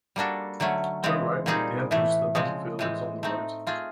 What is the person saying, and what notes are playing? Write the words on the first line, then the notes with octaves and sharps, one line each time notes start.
Turn right; the entrance to the battlefield is on the right.
G3 A#3 D4 F#4 A4
D3 F#3 A3 C#4
C#3 E3 G#3 C4
A#2 G3 C4 D#4 G#4
A2 E3 A3
C#3 F3 G#3 C4
A2 E3 G#3 C4
A3 C4 D#4
A3 C4 F4 G#4